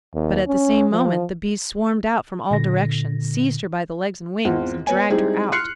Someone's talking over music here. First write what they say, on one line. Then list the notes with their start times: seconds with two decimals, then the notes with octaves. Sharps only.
But at the same moment the Bees swarmed out from all directions, seized her by the legs and wings, and dragged her out.
0.14 D#2
0.47 C#4
0.91 F3
2.51 A#2 D3 A#6
4.45 G#1 E2 C4 F4 F#5
4.87 B3 C#5 G#5
5.10 G3 G#3 C4 D#4 E4 G#4
5.52 C6 F6 F#6 C7 C#7